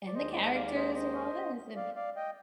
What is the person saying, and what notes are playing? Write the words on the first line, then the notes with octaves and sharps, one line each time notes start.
And, the characters and all this, and
D5
D#2 D#3 G#3 C5 D#5
D5
C5 D#5
D5 F5
D5
C5 D#5
D5
C5 D#5
D5 F5
D5 F5
D#5 G5